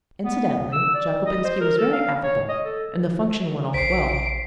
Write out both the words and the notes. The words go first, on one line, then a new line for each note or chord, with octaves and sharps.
Incidentally, Jockobinski was very affable and the function went off well.
B3
E6
D5
D#5
C5
A#4
A4
F5
C#5
D#5
A4
A#1 C5 B6 C7 D7